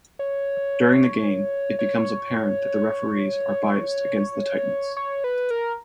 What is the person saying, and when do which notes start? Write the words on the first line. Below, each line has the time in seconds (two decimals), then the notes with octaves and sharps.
During the game, it becomes apparent that the referees are biased against the Titans.
0.19 C#5
1.79 C#5
4.97 C#5
5.24 B4
5.50 A#4